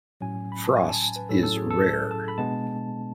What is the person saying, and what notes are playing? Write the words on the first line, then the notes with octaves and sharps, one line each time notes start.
Frost is rare.
A2 F#3 C#4 G#5
B5
A5
G#5
A5
G#5
B4
A2 F#3 C#4 E4 A4
A4
G#4
A4
A5
B5
B2 G#3 B3 D4 A5